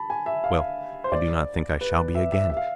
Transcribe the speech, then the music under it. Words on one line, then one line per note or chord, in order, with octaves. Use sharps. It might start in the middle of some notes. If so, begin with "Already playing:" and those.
Well, I do not think I shall be again.
Already playing: A5 B5
G#5
E5
F5
C5
D5
B4
E5
E5
E5
F5